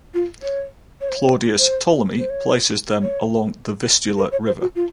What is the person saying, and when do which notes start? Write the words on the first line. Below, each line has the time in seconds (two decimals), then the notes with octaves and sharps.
Claudius Ptolemy places them along the Vistula river.
0.14 F4
0.42 C#5
1.01 C#5
1.09 C5
1.17 C#5
1.58 C5
2.19 C5
2.30 C#5
3.02 C#5
4.17 A#4
4.32 C#5
4.46 C5
4.61 F#4
4.75 F4